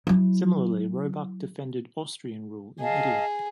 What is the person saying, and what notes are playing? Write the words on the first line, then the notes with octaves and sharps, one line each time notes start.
Similarly Roebuck defended Austrian rule in Italy.
F#3 E4
G#4 D#5 F5 A5